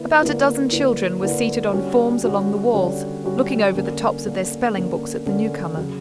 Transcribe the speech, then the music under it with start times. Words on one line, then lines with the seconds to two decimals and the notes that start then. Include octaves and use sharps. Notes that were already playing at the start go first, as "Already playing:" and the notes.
About a dozen children were seated on forms along the walls, looking over the tops of their spelling-books at the newcomer.
Already playing: D3 A#3 E4 B4
0.21 D3 A#3 E4 B4
0.72 D3 A#3 E4 B4
1.22 D3 A#3 E4 B4
1.73 D3 G3 C#4 F#4 C#5
2.24 D3 G3 C#4 F#4 C#5
2.74 D3 G3 C#4 F#4 C#5
3.24 D3 G3 C#4 F#4 C#5
3.75 D3 A#3 C#4
4.26 D3 A#3 C#4
4.76 D3 A#3 C#4
5.26 D3 A#3 C#4
5.77 C#3 F#3